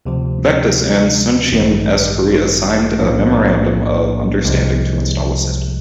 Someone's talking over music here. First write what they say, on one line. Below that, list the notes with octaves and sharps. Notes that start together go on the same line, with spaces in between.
Vectus and Suncheon S. Korea signed a memorandum of understanding to install a system.
D2 C3 F3
A1 G2 D#3
B1 A2 F3 A#3 D4
C2 C3 F3 G#3